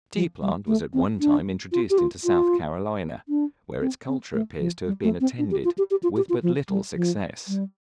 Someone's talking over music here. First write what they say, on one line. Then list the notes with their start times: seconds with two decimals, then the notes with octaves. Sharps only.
The tea-plant was at one time introduced into South Carolina, where its culture appears to have been attended with but little success.
0.15 F3
0.41 G3
0.67 A3
0.93 C4
1.20 D4
1.72 F4
1.90 G4
1.99 F4
2.24 F4
3.29 D4
3.81 C4
4.08 C4
4.34 A3
4.59 F3
4.86 G3
5.03 A3
5.20 C4
5.39 D4
5.51 G4
5.64 F4
5.78 G4
5.91 G4
6.03 F4
6.17 G4
6.29 F4
6.43 F3
6.69 G3
6.95 F3
7.48 G3